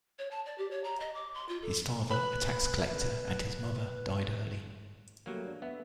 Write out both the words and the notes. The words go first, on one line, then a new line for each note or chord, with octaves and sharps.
His father, a tax collector, and his mother died early.
C#5
A5
D5
G4
C#5
A#5
D#5
D6
C6
F4
A4
B4 B5 F#6
F#3 G3 A3 A#3
D4
B3 E5